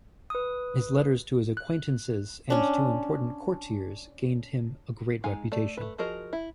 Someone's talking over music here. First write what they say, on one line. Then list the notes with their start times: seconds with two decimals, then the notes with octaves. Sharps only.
His letters to his acquaintances and to important courtiers gained him a great reputation.
0.30 B4 D#6
1.57 F#6
2.50 C#4 D4
5.24 G#3 D#4 F5 G#5
5.52 A3 D5
5.77 A3 B4
5.98 F3 F#4 G#4 A#4 D#5
6.33 E4